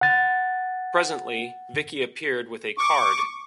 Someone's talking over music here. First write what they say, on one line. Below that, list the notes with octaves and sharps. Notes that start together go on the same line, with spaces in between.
Presently, Vicky appeared with a card.
F#5 A6
C#6 D6